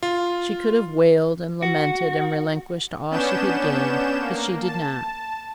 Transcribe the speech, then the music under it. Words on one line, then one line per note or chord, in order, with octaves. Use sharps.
She could have wailed, and lamented, and relinquished all she had gained, but she did not.
F4
F#4
B3 C#4 D4 G6 E7
A#3
A5